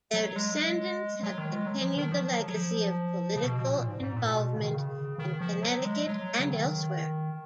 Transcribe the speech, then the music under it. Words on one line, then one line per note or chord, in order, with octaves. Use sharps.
Their descendants have continued the legacy of political involvement in Connecticut and elsewhere.
F#3
G#3
F#3
D#3
G#3
F#3
F3
D#3
F3
F#3
F#3
F3
C#3
B2
A#2
G#2
G#2
A#2
B2
C#3
D#3
C#3
D#3
F3
F#3
G#3
F#3
C#3
D#3